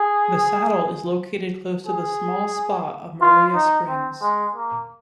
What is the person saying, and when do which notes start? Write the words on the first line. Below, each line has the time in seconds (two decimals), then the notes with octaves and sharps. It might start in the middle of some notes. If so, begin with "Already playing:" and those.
The saddle is located close to the small spa of Maruia Springs.
Already playing: G#4
1.87 G#4
3.21 F4
3.54 D#4
3.88 C4
4.22 G#3
4.55 A#3